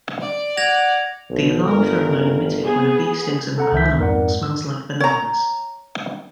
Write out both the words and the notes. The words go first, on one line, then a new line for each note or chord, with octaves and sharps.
The alarm pheromone emitted when a bee stings another animal smells like bananas.
D5
F#5 G#6 A#6 F7
B1
G1 A#4
B3 G#4
A4 F#5 A#5
C#2 D#3 E5 G6 B6
F2 G#2 A#4 D5 F#5
E6
C#5 A#5